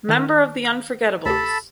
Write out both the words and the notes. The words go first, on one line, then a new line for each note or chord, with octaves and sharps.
Member of "The Unforgettable s."
D#3 F6
D2 C3 G4 A4 A5 B5